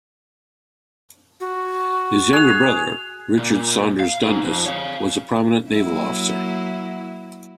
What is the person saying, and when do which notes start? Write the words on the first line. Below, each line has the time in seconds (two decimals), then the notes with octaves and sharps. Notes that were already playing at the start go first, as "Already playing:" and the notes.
His younger brother, Richard Saunders Dundas, was a prominent naval officer.
1.40 F#4
2.33 G#4 F#6 F7
3.39 A#2
4.00 F5
4.24 D#4 G#4
4.45 F2
4.66 C#5 F5
5.70 F#3 A#3 E4